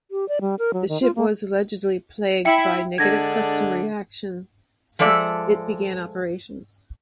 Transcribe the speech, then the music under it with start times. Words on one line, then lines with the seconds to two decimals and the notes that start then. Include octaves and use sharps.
The ship was allegedly plagued by negative customer reaction since it began operations.
0.11 G4
0.28 D5
0.41 G3
0.59 A#4
0.74 F#3
0.88 D#3
1.01 F4
1.16 A#3
2.45 E4 E5 G5 C#7
2.98 D3 G#3 D4 G#6 A#6
4.99 F3 G#3 A4 D5 E5